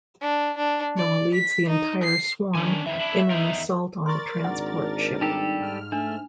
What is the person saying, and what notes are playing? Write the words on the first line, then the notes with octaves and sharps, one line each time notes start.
Noah leads the entire swarm in an assault on the transport ship.
D4
D4
D5
B6
D#4
C7
D#3 C#4 D4 G#5
F2 D#3 E3 E5
D4 E4
E2 D#4 A#4
A#4 D5 C6 C#6 A6
G#1 D4 F#5
G3 D#4 G4 A4
G#2 F6
A3 D4